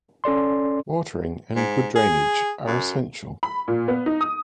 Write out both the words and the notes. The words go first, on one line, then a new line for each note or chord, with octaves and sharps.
Watering and good drainage are essential.
C#4 A4 D5 C6
G#2
G#4
F#2
B5
A#2
B3
D#4
D#6